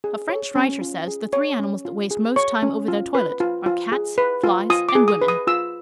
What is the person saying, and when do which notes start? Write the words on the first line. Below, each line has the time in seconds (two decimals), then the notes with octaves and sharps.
A French writer says, the three animals that waste most time over their toilet are cats, flies, and women.
0.04 G#4
0.29 C#5
0.55 C#4
0.81 F4
1.08 G#4
1.33 C#5
1.59 C#4
1.85 F4
2.11 G#4
2.36 C#5 C#6
2.63 C#4
2.88 F4
3.15 B4
3.40 F4
3.66 F4
3.92 G#4
4.18 B4
4.44 F4
4.70 F4 D#6
4.89 D6
4.95 G#4
5.08 D#6
5.21 B4
5.28 D#6
5.47 F4 E6